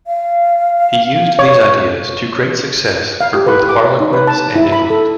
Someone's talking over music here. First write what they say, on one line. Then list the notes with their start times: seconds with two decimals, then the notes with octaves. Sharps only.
He used these ideas to great success for both Harlequins and England.
0.07 F5
1.39 C#5
3.21 F5
3.34 G4
3.47 B4
3.69 D6
3.83 C#5
4.00 D#4
4.13 B4
4.27 A5
4.56 E4
4.72 B5
4.90 A4